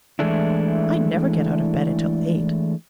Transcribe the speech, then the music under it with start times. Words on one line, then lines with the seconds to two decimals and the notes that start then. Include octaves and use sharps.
I never get out of bed until eight.
0.19 E3 G#3 A3 D4 E4